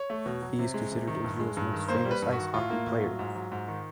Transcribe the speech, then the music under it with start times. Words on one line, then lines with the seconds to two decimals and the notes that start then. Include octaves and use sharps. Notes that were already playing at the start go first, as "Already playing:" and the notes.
He is considered Israel’s most famous ice hockey player.
Already playing: C#5
0.10 A3
0.26 B2
0.42 F#3
0.59 C3
0.74 G#3
0.92 C3
1.07 D#3
1.24 G2
1.39 G#3
1.57 G2
1.73 D#3
1.88 A#3 C5
2.05 G3
2.11 B4
2.22 G2
2.32 F#4
2.38 D#3
2.54 A2 F4
2.70 A#3
2.86 A2
3.03 F#3
3.19 G#2
3.35 F#3
3.52 G#2
3.68 D#3